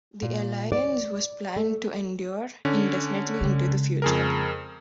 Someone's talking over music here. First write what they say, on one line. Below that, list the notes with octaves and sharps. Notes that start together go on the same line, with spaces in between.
The alliance was planned to endure indefinitely into the future.
A#2
D5
A3
D3 C#4
C#3 G#3
F2 G#4 A#4